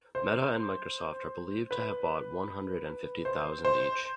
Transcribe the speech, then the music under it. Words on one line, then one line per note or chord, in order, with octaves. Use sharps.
Meta and Microsoft are believed to have bought one hundred and fifty thousand each.
C5
B4
C5
C5